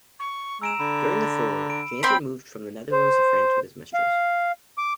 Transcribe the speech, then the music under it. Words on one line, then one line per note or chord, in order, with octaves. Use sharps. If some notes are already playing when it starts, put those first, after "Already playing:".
During the furor, Jansen moved from the Netherlands to France with his mistress.
C#6
G#3 A#5 E6 D7 E7
D3 B5
D7
C4 B5
C5
F5
D6